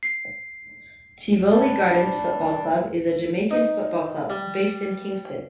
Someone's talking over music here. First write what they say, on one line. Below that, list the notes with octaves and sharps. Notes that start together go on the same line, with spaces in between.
Tivoli Gardens Football Club is a Jamaican football club, based in Kingston.
C7
G3 D4
D#4
G3